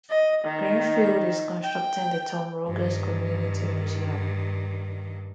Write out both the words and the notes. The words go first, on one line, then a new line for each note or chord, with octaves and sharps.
Greenfield is constructing the Tom Rogers Community Museum.
D#5
D#3
G5
G2 D#3